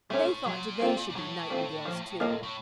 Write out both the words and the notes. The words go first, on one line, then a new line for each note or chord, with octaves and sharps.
They thought they should be nightingales too.
A#2 A3 C#4
A2
A#2 F#3
A3 C4 F4
A#2
A2 F#3
A3 C4 F4
F3
A#3 F4 A4 D#5
A2